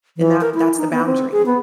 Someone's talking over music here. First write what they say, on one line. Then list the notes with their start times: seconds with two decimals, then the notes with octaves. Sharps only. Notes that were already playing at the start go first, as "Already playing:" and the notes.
and that that's the boundary.
0.18 E3
0.41 A#4
0.54 E4
0.77 D#4
0.92 B3
1.06 C4
1.32 G#4
1.46 B3